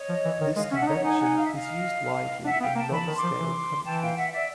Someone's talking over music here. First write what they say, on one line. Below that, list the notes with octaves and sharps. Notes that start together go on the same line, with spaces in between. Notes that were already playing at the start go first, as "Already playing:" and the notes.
This convention is used widely in long scale countries.
Already playing: C#5 D#5
F3
E3
D#3
G#3 D#5 F5
C#4 E5 F#5
D4
D#4 C#5 D#5
D#4 F#5 G#5
F#5 G#5
F5
E5
D#5 F5
D4 E5 F#5
B3 F5 G5
A#3 G5 A5
E3 A5 B5
D#3
C6 D6
F3
E3
E3 G5 A5
F5 G5
E5 F#5
D5 E5